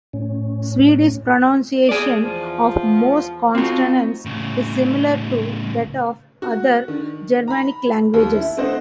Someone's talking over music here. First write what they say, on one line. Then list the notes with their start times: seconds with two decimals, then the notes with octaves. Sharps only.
Swedish pronunciation of most consonants is similar to that of other Germanic languages.
0.13 A2 C#4
1.89 G#4 D5
2.22 E2 F3
3.55 C4 D#4 F4 F#4
4.25 A2 C#3
6.42 F#4
6.88 D#3 D4
7.48 A#5 B5
8.14 D#2
8.35 E4
8.57 A3 C4 D4 C5 D#5 F#5